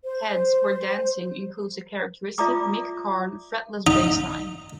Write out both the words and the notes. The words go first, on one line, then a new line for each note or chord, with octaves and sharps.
"Heads We're Dancing" includes a characteristic Mick Karn fretless bassline.
C5
F4 D5 E5 A#5 D6 D#6
D#4